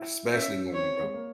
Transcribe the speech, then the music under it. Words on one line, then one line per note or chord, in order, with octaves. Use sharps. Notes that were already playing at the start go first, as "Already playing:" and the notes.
Especially women, bro.
Already playing: E4
C#4 E5
C4 C#5
G#3
A#3